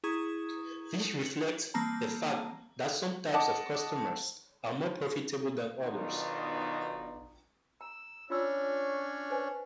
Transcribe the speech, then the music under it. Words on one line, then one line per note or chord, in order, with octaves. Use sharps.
This reflects the fact that some types of customers are more profitable than others.
E4 G#4 A#5 C#6 D#6 G#6
C#7 F#7
E3 G3 A#3 C4 A5 A#5
D#5 F#5 A5 D6
B1 B2 D#3 D4 D#4 F4
A#5 E6
C#4 D4 F4 C#5 C6 E6
B4 C5 G#5